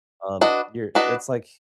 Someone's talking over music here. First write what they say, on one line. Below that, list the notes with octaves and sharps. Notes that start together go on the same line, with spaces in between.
Um, your it's, like,
D4 F#4 B4 D#5
D4 F#4 B4 D#5